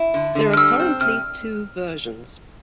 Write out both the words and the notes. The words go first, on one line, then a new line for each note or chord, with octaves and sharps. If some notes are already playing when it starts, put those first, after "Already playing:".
There are currently two versions.
Already playing: E4
D3
D3
F6
G3 E6
C4
C3 F6